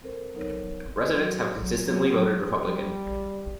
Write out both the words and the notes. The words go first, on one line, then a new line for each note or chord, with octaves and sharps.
Residents have consistently voted Republican.
C4 A4 A#4 C5
F#3 B3 D#4 A4 A#4 C#5
F#3
F#3
G3